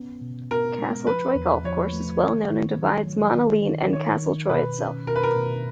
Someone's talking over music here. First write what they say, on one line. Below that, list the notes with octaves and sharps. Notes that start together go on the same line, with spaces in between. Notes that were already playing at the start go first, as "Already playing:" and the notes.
Castletroy Golf Course is well known and divides Monaleen and Castletroy itself.
Already playing: B3 C#4
B2
B3 A#4
G#3
F3 B4
E2
F3 C#5
A3
D#3
D#3
F#3
F#3
D#3
D#3
D#3 C#5
D#3
B2 B4
C#4
B2 A#4
B4
A#4
B2